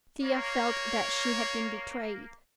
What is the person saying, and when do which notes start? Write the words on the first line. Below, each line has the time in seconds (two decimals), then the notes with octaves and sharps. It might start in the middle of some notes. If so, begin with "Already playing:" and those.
Thea felt that she had been betrayed.
0.22 A#3 C#5